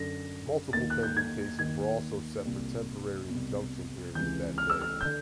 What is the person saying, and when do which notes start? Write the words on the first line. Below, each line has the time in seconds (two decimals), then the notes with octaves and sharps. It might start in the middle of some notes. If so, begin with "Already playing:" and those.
Multiple pending cases were also set for temporary injunction hearings that day.
Already playing: F#2 D3 A#6
0.73 D#2 D#3 A6
0.90 F#6
1.03 G6
1.17 G#6
1.59 D#2 D#3 G#6
2.45 C2 A#2
3.30 C2 B2
4.15 C#2 C3 E3 G6
4.58 F6
4.70 E6
4.82 F6
5.01 D3 G6